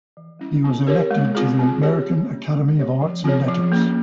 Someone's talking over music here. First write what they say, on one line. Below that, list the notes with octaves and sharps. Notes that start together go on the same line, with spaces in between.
He was elected to the American Academy of Arts and Letters.
E3
G3 C#4 E4
C4
G4 A#4 C#5
G#3
C4 F4 G#4
C4
G4 C#5
G3
A#3 C#4
G#3
C#4 G4 C#5
F3
C4 F4 G#4 C#5
F3
A#3 C#4